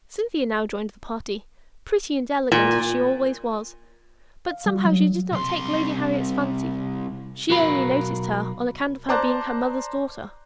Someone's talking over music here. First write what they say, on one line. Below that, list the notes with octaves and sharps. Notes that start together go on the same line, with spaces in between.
Cynthia now joined the party, pretty and elegant as she always was; but somehow she did not take Lady Harriet's fancy; she only noticed her on account of her being her mother's daughter.
A#2
F5
G3
F#3
C2 C6
B1 F#4 A#4 F5 B5
C5 D5 A5 A#5 D6 F#6